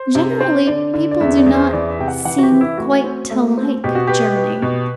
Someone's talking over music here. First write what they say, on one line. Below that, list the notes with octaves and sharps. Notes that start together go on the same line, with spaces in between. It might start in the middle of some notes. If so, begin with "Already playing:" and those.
Generally people do not seem quite to like Germany.
Already playing: C5
C3
C4
D3 D5
D3
D5
E2 E5
D5
E2
C5
E3 D5
E5
C3 G5
F#5
E3 F#5
F#4
G4
E3
E4
A3 F#4
C4
A3
C4
B2 G4
F#4
G4 B4
B4
B2